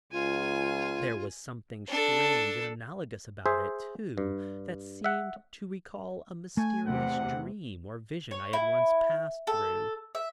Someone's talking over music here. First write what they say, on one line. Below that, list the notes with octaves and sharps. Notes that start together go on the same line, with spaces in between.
There was something strange and analogous about it, too, that seemed to recall a mysterious dream or vision I had once passed through.
C#2 F4 G#5
D4 A4
G#4 C5 E5
G2
E5 F#5
A3 G#5
E2 C3 F#5
C#5
E4
A4
E5